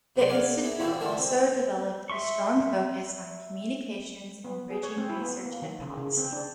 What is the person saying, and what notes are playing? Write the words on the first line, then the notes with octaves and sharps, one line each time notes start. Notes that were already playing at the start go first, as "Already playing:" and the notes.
The Institute also developed a strong focus on communications and 'bridging research and policy'.
C3 F#3 D5 C6
G#4 A#4 D5 F5 F#5 G#5
E4 G#4
A#2 E3 C4 F#4 A4
D3 G3 D4 E4 F#4 A#4
C4
E5 C6 C#6
B3
G#4
C#5
C4
E4
B3
A#3
D#3
C#3
C#3
C4
D4